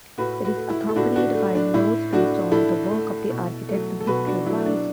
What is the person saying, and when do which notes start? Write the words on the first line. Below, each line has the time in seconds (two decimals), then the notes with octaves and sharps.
It is accompanied by notes based on the work of the architect Vitruvius.
0.18 A2 F#4 B4
0.45 F#4 B4
0.57 A3
0.70 E4
0.89 A4
0.96 A2 D4 F#4
1.16 D4 F#4
1.34 A3
1.55 D4
1.74 A2 E4
2.13 A3 D4 F#4
2.52 A2 E4 A4
2.91 A3
3.30 B2
3.69 F#3 A3
4.01 A4
4.07 B2 F#4 B4
4.27 D4 F#4
4.46 F#3 A3 E4
4.66 D4